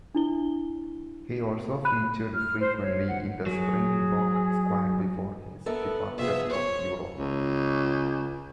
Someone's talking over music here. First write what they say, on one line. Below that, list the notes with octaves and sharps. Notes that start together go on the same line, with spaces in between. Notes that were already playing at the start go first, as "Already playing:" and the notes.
He also featured frequently in the Springbok squad before his departure for Europe.
D4 E4 G7
B5 F#6 D#7
F6
C5
C#5
F#5
F#3 G#4
B3 A4 A#4 E5
C3 F3 B3 G#4 E5
C5 C#5
C#2